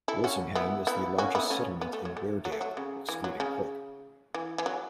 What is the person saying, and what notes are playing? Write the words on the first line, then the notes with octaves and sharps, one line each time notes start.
Wolsingham is the largest settlement in Weardale, excluding Crook.
E4 A4
C#4 F#4
B3 E4
B3 E4
C#4 F#4
B3 E4
A3 C#4
B3
A3
F#3
A3
F#3
A3
F#3
C#3
E3
F#3
C#3
E3
E3
F#3